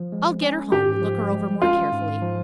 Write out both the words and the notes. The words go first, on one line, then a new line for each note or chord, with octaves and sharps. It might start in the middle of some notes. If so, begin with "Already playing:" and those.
"I'll get her home and look her over more carefully."
Already playing: F3
G#3
C#4
G#2 G4
F3
G#3
C#4 F4
G#2
F3